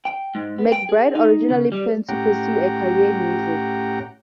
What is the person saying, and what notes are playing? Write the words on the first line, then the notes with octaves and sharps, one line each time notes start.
McBride originally planned to pursue a career in music.
G5
G#2
B3
G5
G#4
D#4
C#3
G3
A2 C#4 G4 F#5 G5 A#5